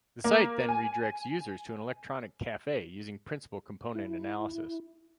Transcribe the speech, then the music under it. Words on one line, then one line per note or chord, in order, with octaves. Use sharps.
The site then redirects users to an electronic "cafe" using Principal Component Analysis.
A#3
G#5
E4